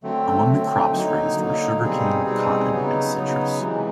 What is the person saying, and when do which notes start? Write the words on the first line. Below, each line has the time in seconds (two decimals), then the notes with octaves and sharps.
Among the crops raised were sugar cane, cotton and citrus.
0.03 D3 F#3 A3 C4
0.47 D3 F#3 A3 C4
0.92 D3 F#3 A#3 D#4
1.36 D3 F#3 A#3 D#4
1.81 B2 G3 C4 D#4 G#4
2.26 B2 G3 C4 D#4 G#4
2.70 C#3 F#3 B3 D#4
3.14 C#3 F#3 B3 D#4
3.59 C3 E3 G#3